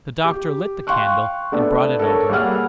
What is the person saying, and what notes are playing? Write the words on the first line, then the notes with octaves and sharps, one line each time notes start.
The doctor lit the candle and brought it over.
G4
F5 G5 C6 C#6 F#6
A3 B3 D4
A4 A#4 C#5 E6
G3 A#3 G#4 F#5 F6